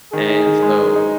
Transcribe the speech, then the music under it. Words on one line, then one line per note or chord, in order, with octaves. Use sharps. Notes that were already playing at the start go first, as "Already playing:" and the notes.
and so
D#3 G#4
D#4
D#3
G#3
D#3
D#4